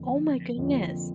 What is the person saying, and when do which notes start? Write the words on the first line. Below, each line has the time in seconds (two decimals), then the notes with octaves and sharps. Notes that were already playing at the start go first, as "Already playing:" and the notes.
Oh, my goodness.
Already playing: F2 D3 F3 A#3
0.55 F2 D3 F3 A#3